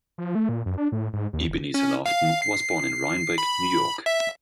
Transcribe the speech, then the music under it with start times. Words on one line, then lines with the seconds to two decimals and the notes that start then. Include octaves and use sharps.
Ebenezer Laughton was born in Rhinebeck, New York.
0.18 F3
0.35 A3
0.49 A#2
0.66 F#2
0.78 D4
0.92 A2
1.13 G#2
1.33 D#2
1.49 F1
1.74 C#4
2.06 F5
2.42 C7
3.38 B5
4.06 E5